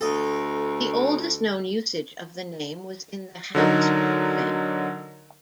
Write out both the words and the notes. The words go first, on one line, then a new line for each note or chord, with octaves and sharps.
The oldest known usage of the name was in the Habsburg family.
D2 A4 D#5
D3 F#3 D#4 A#4